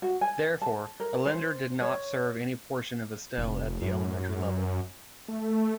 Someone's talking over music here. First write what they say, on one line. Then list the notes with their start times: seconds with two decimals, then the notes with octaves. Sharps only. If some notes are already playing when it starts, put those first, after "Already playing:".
Therefore, Ellender did not serve any portions of Estelle at the elementary level.
0.02 F#4
0.21 G#5
0.62 A5
1.00 A#4
1.26 C5
1.82 C#5
3.38 F1
3.82 F#2
5.29 A3